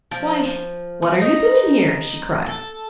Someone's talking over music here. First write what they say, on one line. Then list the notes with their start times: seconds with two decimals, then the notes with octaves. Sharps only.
"Why, what are you doing here?" she cried.
0.11 F3
1.02 B3
1.21 D#4
2.46 A4